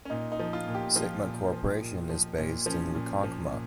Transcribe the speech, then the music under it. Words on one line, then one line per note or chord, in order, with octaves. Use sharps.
Sigma Corporation is based in Ronkonkoma.
C#4
A#2 D#4
D#4
F3
F4
A#2
G4
F3 F4
A#2
F3
A#2
F3
A#2
F3 C#4
A#2
F3
A#2